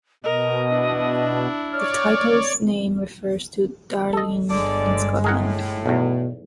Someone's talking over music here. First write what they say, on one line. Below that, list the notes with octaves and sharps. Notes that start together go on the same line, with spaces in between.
The title's name refers to Darnley in Scotland.
B2 A#4 D#5
D4 E4
C#5 D5 F6
A4 D#5
G1 D3 G#3 D5
A2 G#4 A#4 F#5
B1 E2 B2